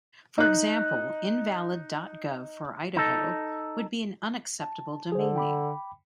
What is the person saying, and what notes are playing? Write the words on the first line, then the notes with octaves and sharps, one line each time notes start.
For example, invalid dot gov for Idaho would be an unacceptable domain name.
D#4 F#6
D#4 A4
A5
D3 G#4 C5
G5 B5 D6